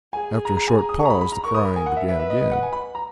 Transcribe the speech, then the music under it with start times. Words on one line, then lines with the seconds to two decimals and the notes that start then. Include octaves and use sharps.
After a short pause the crying began again.
0.13 G#4 G#5
0.45 A#5
0.57 A#5
0.67 G#5
0.78 A#5
0.89 D#6
0.99 C#6
1.05 A#5
1.10 B5
1.21 B5
1.32 A#5
1.43 A#4 C#6
1.54 D#6
1.65 B5
1.76 G#5
1.86 F#5
1.97 E5
2.08 B4 E5
2.20 E5
2.30 D#5
2.40 D#5
2.51 F#5
2.63 G#5
2.73 B5
2.95 A#5